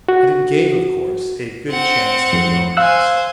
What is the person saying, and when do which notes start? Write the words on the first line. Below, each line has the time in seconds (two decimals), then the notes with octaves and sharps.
And it gave, of course, a good chance for the arms.
0.08 F#4
1.70 C4 F#5
2.33 F2
2.77 C5 F5 G#5 E6 F#6